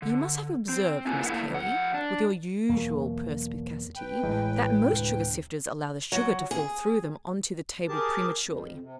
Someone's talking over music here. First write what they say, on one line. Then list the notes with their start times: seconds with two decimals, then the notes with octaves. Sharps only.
You must have observed, Miss Cayley--with your usual perspicacity--that most sugar-sifters allow the sugar to fall through them on to the table prematurely.'
0.02 D3
0.69 C4
1.07 A#3 E4 F4 G#4 B4 G#5
1.26 A3 A#3 E4 E5 F#5
1.50 F2 F#5
1.94 D4
2.69 E2 B2 F#3 A#3
3.96 B4 G5
4.23 A1 A2 G#3
4.92 D2 C3
6.12 F#3
6.51 G#4
7.88 G4 G#4 A#4 A5
8.45 F2
8.80 C3